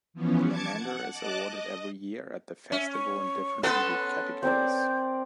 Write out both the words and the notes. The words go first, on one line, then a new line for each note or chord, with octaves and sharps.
The Amanda is awarded every year at the festival in different movie categories.
E3 F3 B3 C#4
A5 D6 G#6 C#7
F#5
D#5 A5 D6 F#6
D#5
C#4 E5
C#6
B3 C#4 A4 C6 E6 F#6
C4 A#4 D5 G6